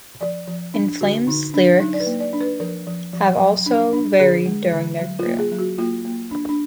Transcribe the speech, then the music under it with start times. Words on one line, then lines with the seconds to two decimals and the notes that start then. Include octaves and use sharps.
In Flames' lyrics have also varied during their career.
0.21 F3 D5
0.48 F3
0.74 D4
1.01 D3 F#4
1.27 D3 D#4
1.54 D4
1.80 F#3 D#4
1.94 D5
2.00 B4
2.06 A#3
2.20 D5
2.33 D4
2.41 B4
2.60 F3 A#4
2.87 F3
3.13 F3
3.39 F#3
3.66 D4
3.93 D4
4.19 D3 G#4
4.46 G#3
4.72 D3
4.99 F#3
5.19 F4
5.25 A#3
5.39 G#4
5.52 F#3
5.59 F#4
5.78 A#3 F4
6.05 A#3
6.31 D4
6.49 D4